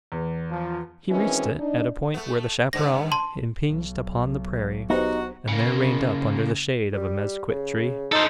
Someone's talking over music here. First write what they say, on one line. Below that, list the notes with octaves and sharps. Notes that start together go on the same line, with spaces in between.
He reached it, at a point where the chapparal impinged upon the prairie, and there reined up under the shade of a mezquit tree.
E2
F3
B2 D#3 E3 G#3 C4 C#4
D4 D#4
A3 B3
G2 D3 B3 A#6
A5 C6
B1
B3 D#4 F#4 G4 C5
C#3 A#3
G3
C#3
D#4 A4 C5